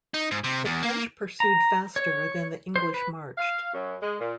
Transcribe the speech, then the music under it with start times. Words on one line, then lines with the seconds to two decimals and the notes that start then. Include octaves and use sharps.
The French pursued faster than the English marched.
0.14 D#4
0.31 G#2
0.44 C3
0.65 E2
0.83 A#3
1.40 A#5
1.96 C#5
2.76 C5
2.94 B4
3.38 F5
3.74 F#2
4.01 G#3
4.19 A#2